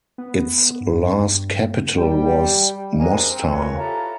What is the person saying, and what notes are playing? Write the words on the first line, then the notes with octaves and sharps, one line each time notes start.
Its last capital was Mostar.
B3
G2
G3 G5
G#2 A#3 C4 D4 D#5 G#5
C4
C#4 F4 A#4 B4 C#5
E4 F4 G4 A4 A5 A#5